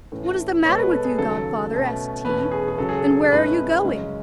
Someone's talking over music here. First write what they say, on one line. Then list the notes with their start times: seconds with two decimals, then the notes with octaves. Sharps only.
'What is the matter with you, godfather?' asked he, 'and where are you going?'
0.12 A2 E3 A3 C#4
0.65 B2 G#3 B3 C#5
0.78 B4
0.92 A4
1.05 G#4
1.18 D#2 C#3 F#3 A4
1.71 B2 A3 C#4
2.25 E2 B2 A3 C#4 B4
2.52 G#4
2.68 G#4
2.78 C#2 C#3 F#3 C#4 A4
2.89 G#4
2.98 A4
3.32 A2 G#3 C#4 B4
3.84 F#2 C#3 G#3 C#4